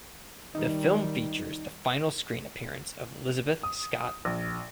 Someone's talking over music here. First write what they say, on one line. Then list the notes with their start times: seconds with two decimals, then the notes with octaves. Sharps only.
The film features the final screen appearance of Lizabeth Scott.
0.55 D#3 G3 D#4
3.63 D#6
4.25 A#1